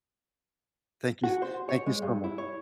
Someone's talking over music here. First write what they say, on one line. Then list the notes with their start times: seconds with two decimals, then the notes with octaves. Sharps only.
Thank you s thank you so much.
1.24 F#4
1.42 C5
1.69 C#5
1.86 G#3
2.02 G2
2.24 E4
2.38 C#5